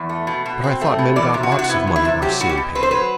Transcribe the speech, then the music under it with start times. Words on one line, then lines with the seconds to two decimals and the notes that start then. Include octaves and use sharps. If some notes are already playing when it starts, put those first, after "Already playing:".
"But I thought men got lots of money by scene-painting?"
Already playing: E2
0.09 A3
0.27 B2
0.46 B2
0.64 C4
0.81 A3
0.99 B2
1.16 E3 D5
1.34 C3
1.43 F#4
1.52 C3
1.59 F#4
1.69 B3 E4
1.87 E3
1.96 E4
2.05 C3
2.22 F#3 G4
2.40 B2 F#4
2.49 G4
2.57 B2
2.75 C4 B4
2.83 C5
2.91 F#3 B4